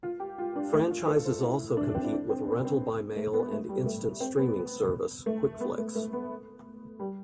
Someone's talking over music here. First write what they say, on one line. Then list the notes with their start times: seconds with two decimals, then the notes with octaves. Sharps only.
Franchises also compete with rental-by-mail and instant streaming service, Quickflix.
0.03 F4
0.20 G4
0.38 F4
0.56 D4
0.73 A3
0.90 F4
1.08 A4
1.25 C5
1.42 E4
1.77 D4
1.95 C4
2.04 E4
2.13 D4
2.29 C4
2.47 B3
2.65 C4
3.16 A3
3.33 B3
3.51 A3
3.69 G3
3.86 A3
4.20 C4
4.38 B3
5.26 A3
5.60 B3
5.78 A3
5.95 A3
6.13 B3
7.00 G3